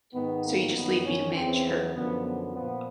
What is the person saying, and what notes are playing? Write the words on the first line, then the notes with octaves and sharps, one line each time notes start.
So you just leave me to manage her.
G#2 D#3 B3
A#3
F#2 D#3 B3
C#4
E2 C#3 E3 C4
B3
F#2 D3 F3 B3
B3
A#2 F3 B3